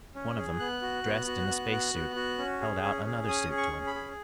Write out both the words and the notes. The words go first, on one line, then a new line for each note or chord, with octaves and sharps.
One of them, dressed in a spacesuit, held out another suit to him.
C#4
G#4
B3 F#6
F#4
B3
F#4
B3
F#4
B3
F#4
C#4
G#4
C#4
G#4
C#4 D#6
G#4
C#6
C#4
B5
G#4